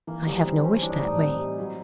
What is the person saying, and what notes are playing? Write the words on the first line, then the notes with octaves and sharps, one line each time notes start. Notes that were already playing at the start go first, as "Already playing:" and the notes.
I have no wish that way.
E3 A#3
G3 B3
E3 C4
C4
G3 C#4
E3 D4
D#4
A2 D4
D#4
C4
D#4
G3
F#3 E4